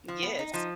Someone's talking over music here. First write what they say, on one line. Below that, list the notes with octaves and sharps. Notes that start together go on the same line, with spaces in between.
Mm, yes,
F3
B3
D#4
F3